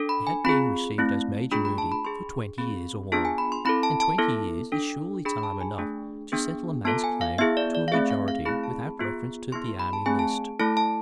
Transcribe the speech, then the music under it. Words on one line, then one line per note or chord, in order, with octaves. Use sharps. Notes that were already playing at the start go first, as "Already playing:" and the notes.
He had been received as Major Moody for twenty years or more, and twenty years is surely time enough to settle a man's claim to a majority without reference to the Army List.
Already playing: D4 A4
B5
G#5
C4 F4 G#4 B5
A3 C4 E4
A3 D4 F4 G#4 B5
B5
A5
B5
D4 G#4 C6
C4 G#4 B5
B3 D4 F4 G#4 A5
G#5
B5
C6
C4 E4 A4 B5
A5
A5
B3 E4 A4
D4 A4
D4 G#4 B5
B5
A5
G#5
A3 D4 G#4
B3 D4 G#4
B3 F4 A4 A5
G#5
F5
B3 E4 G#4 E5
D5
D5
F5
A3 C4 G#4 E5
F5
F5
A3 C4 E4 G#4 B5
A5
B5
B3 F4 G#4
B3 E4 G#4 C6
C6
B5
A5
A3 C4 G#4 G#5
A5
A3 E4 A4 A5
A5